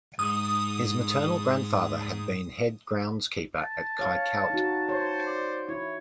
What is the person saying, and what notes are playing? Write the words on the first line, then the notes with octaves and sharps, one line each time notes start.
His maternal grandfather had been head groundskeeper at Kykuit.
G#2 D#6
A5
C#5 F5
D#4 F#4
C5 C#5
D5
E4 C#5